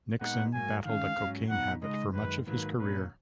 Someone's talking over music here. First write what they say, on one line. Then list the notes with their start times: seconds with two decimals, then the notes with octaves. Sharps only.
Nixon battled a cocaine habit for much of his career.
0.21 A#2 G#3 B3 D#4 F#5
0.54 G#2 F#3 A#3 G#5
0.85 D#3 G#3 C#4 F5
1.18 G#2 F#3 C#4
1.50 A#2 F#3 B3 D#4 F#5
1.82 C#3 G#3 D#4 D#5
2.14 F#2 D#3 G#3 B4
2.46 G#2 D#3 F#3 A#3 B4
2.78 A#2 F#3 A#3 C#4 B4